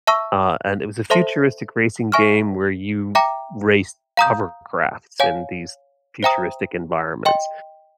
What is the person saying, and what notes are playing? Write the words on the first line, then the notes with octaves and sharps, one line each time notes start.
uh, and it was a futuristic racing game where you race hovercrafts in these futuristic environments,
E5 A5 C#6 E6
A4 C5 E5 A5 C6
E5 G#5 C#6 F6
E5 G5 A#5 D6
F5 A#5 D#6 G6
C#5 F5 G#5
C5 E5 G5 A#5 D#6
D#5 G5 C6